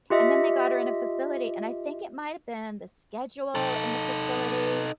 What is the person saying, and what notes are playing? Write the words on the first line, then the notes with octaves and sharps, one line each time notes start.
and then they got her in a facility, and I think it might’ve been the schedule in the facility,
F4 G4 D#5 E5
D#4 A4